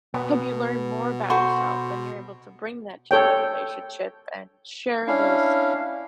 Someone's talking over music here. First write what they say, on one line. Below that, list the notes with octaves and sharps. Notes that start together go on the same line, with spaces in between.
help you learn more about yourself and you're able to bring that to the relationship and share those
B2 B3
F#4 A4 C5 B5
A4 C#5 G5
C#4 D4 E4 F5